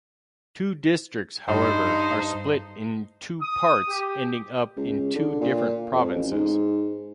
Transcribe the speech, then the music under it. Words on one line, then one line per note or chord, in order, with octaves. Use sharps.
Two districts however are split in two parts ending up in two different provinces.
G2 D#4 C5
D#6
G4
C#2
D3
A#2
F2
A1
G#2